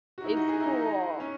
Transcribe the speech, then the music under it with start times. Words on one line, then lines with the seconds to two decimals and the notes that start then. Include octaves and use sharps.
It's cool.
0.18 F#4
0.24 D#4 E4
0.36 F#4
0.49 G#4
0.60 E4
1.20 C#4